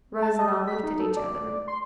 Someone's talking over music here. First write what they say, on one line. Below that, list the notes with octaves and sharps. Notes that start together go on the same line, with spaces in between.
Rose and I looked at each other.
A5
D#5
B6
D#4
A4
D5
C6